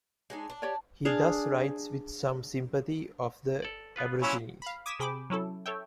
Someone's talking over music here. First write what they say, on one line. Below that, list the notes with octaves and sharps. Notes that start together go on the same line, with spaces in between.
He thus writes with some sympathy of the Aborigines.
G#3 D4 D#4
D4
G4 C#5 D5
D4 G#4 F5
A4 D5
B3 F4 B4
A#2 F#3 C#4 E4 E5
F5 B5
D6 D#6 G#6 B6 E7
C3 G#4 G5 B5 D6
F#3 C#4 E4 A4
A4 C#5 E5 G5